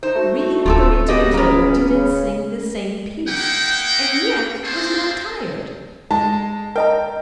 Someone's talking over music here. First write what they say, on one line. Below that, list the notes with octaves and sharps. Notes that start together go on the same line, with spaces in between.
Three-and-thirty times over did it sing the same piece, and yet was not tired.
D#4 C5
A3 F#4
D1 F4 G4 A4
C#2 B3 F#4 G4 D#5
A#3 B3 C#4
C#3
A#3 D#4 E4 F#5 G5
A#3 C4 D4 G#4 A4 C5
G#3 A5
A#4 D#5 G5 A#5